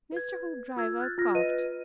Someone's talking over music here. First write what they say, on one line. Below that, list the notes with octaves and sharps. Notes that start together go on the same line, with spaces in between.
Mr. Hoopdriver coughed.
B4 G#6
F4 E6 G#6
F6 F#6 G#6 A6
F4 F6 A#6
B4 D#5 D#7